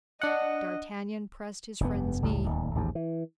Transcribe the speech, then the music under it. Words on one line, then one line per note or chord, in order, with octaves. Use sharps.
D'Artagnan pressed his friend's knee.
D4 D#5 F#5
F1 G2 B3
F#1 C#2 A2 G3
D1 D#2
A1 D#2 G#2
E3